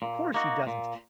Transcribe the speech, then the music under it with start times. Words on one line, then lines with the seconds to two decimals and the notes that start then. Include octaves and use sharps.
Of course he doesn't.
0.02 A#2
0.34 A#3 D#4 F#4
0.67 A#2